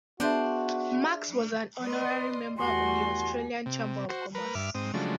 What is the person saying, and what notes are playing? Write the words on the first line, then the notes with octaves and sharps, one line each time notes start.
Max was an honorary member of the Australian Chamber of Commerce.
B3 D4 F#4 G#4 C5 E5
B4 D5 D#5 C6
E2 G3 A3 F#4 G#5 C6
C3
F#4 C5
A#4 B4
G2 E5 D6 F6
G#2 C4 D#6
C#3 F3 F#3 G#3 A3 D4